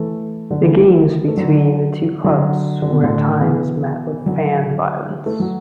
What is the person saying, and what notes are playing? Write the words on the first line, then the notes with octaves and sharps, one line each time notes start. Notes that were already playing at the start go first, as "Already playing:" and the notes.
The games between the two clubs were at times met with fan violence.
Already playing: E3 A3
D3 F#3
E3 A3
A3
D3 F#3
D3 F#3
D3
B2
A2 D3
B2 E3
D3 F#3
A3
F#3